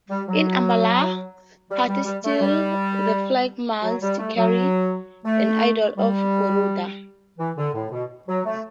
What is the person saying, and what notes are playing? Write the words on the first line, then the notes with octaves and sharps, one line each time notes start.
In Ambala Pathi still the flag mast carries an idol of Garuda.
G3
F#3
G3
G3
G3
A3
G3
F#3
G3
A3
F#3
A3
G3
E3
D3
A2
B2
F#3
A3